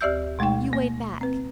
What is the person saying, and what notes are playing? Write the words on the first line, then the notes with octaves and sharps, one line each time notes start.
You wait back.
D2 G4 D5 E5 E6 G6
B2 G#3 A3 D#4 G5
A#3
C4 B4